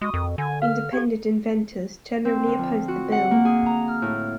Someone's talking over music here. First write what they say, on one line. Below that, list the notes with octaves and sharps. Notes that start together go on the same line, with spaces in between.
Independent inventors generally opposed the bill.
G#3 F#4 C#6 D#6
F2 A#4
D3 G#5
B4 F5 F6
G4 A4 G#6
C4
D3
F3
F#4
F#5
A#3
G#4
A#5
F6
A2